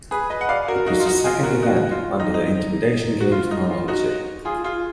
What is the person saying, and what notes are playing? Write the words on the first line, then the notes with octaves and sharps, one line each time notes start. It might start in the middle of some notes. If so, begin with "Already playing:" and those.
It was the second event under the Intimidation Games chronology.
G#4 B4
B4 D#5
F#5
D5 F5
F#4 A#4
D#4 F#4
F4
D#4 F#4
F4 G#4
F#4 A#4
D#4 F#4
F4
D#4
D#4
F#4
F4
D#4
F4
D#4 F#4
F4 G#4
F4 G#4